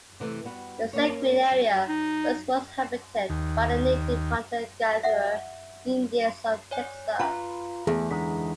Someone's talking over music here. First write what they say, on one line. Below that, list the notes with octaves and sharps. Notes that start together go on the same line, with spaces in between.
The Seguin area was once inhabited by the native hunter-gatherer Indians of Texas.
C3 E3 A3
G3 B3 F#4
A#3 C#4 C#5
F#3
D#4
D#2
E5 F#5
C#5 D5 G#5
F4 B4 A#5
E2 A3 G#4
D3 G#3 D#4 B6